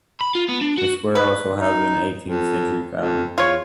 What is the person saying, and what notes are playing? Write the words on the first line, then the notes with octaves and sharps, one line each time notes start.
The square also houses an eighteen century fountain.
B5
F4
B3
D4
F#4
B4
D#4
F2
F2
E2 F4 C#5